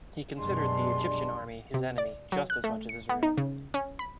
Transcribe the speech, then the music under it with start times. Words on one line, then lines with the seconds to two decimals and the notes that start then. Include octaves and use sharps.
He considered the Egyptian Army his enemy just as much as Israel.
0.38 F#2 B2 G3 G#3 D4 C6
1.74 C3
1.98 D5
2.32 F#3
2.50 F#6
2.64 A3
2.89 C#7
3.09 B3
3.23 D#4
3.37 C#3
3.74 C#4
3.99 B5